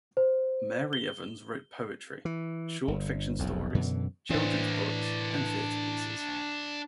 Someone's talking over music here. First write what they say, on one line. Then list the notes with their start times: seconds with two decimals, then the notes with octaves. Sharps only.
Mari Evans wrote poetry, short fiction stories, children's books, and theater pieces.
0.17 C5
0.93 G7
2.25 E3
2.88 G1
3.39 F1 B1 F2
3.75 F#2 B2 D3 E3
4.30 A2 E3 D4 C5